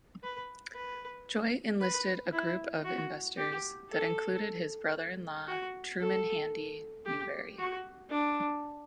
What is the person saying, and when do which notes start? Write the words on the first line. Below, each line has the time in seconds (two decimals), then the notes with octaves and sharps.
Joy enlisted a group of investors that included his brother-in-law, Truman Handy Newberry.
0.23 B4
0.75 B4
1.81 B4
2.32 E4
2.85 F#4
3.38 G4
3.90 A4
5.48 F#4
6.00 A4
7.06 G4
7.58 F#4
8.11 D4